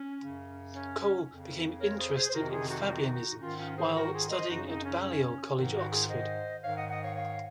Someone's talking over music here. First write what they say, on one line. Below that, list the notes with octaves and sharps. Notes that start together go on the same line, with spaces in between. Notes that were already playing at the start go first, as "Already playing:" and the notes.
Cole became interested in Fabianism while studying at Balliol College, Oxford.
Already playing: C#4
F#2 C#3
C#4
F2 C#3
A#4 C#5
G#4 C5
G#4 C5
C5
F2 C3 D#3 F#4 A#4
F4 G#4
D#4 F#4
F4
D#4 F#4
G#2 D#3 C#4 F4
C#4 F4
G#4 C5
F#4 A#4
F4 G#4
C5 D#5
F#2 C#3 D#4 F#4
C4 D#4
C#4
C#4
G#2 D#3
D#4 F#4
F4 G#4
C5 D#5
G#2 D#3 C#5 F5
D#5 F#5
D#5 F#5
C#5 F5
C#5 F5